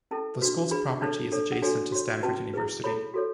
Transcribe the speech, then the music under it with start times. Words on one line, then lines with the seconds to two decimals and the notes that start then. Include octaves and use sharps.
The school's property is adjacent to Stanford University.
0.11 C#4 E4 A4 A5
0.41 D4 F#4 B4
0.71 D4 G#4 B4 B5
1.01 D4 A4 C#5 A5
1.32 D4 A4 C#5
1.52 F#5
1.62 D4 F#4 A4 C#5 G#5
1.92 F#4 C#5
2.23 C#4 F#4 B4 A5
2.54 E4 G#4 B4
2.84 E4 A4 C#5 B5
3.14 F#4 A4 C#5